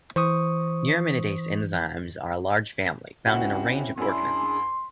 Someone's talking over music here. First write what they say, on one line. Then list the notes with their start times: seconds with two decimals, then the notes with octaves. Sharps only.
Neuraminidase enzymes are a large family, found in a range of organisms.
0.16 E3 C5 C#6 D#6
3.26 C#2 C4 C#4 E4 F#4
3.98 F#2 D4 E4 G#4 C6